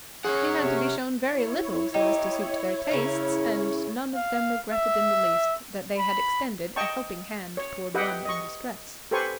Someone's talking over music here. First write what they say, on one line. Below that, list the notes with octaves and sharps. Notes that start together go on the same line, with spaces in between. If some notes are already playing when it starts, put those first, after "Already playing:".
He had to be shown very little so as to suit their tastes; and none of them regretted in the least that they had extended a helping hand toward one in distress.
C#4 G#4 C#5 F#5
C3
E4 C#5
D#4 G4
C#3 C#4 A#4
F5
E5
B5
D#5 G5 A5 C#6
C#5
G4 B4 D#5 E5 F#5 G5
D#5 C#6
G4 A4 B4 C5 G#5 C#6